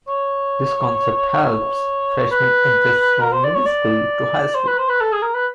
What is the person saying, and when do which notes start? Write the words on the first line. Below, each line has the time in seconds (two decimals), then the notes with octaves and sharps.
This concept helps freshmen adjust from middle school to high school.
0.08 C#5
1.42 C#5
2.31 B4
3.21 A#4
3.32 C5
3.44 D5
3.55 C#5
3.66 D5
4.55 C5
4.67 B4
4.78 C5
4.89 B4
5.01 A4
5.12 G#4
5.22 A#4
5.34 B4